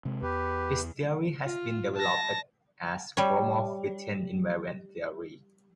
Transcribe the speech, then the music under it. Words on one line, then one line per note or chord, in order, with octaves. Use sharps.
This theory has been developed as Gromov-Witten invariant theory.
C3 G#3
E2 G4 B4
F4
A5 A#6
G3 C#5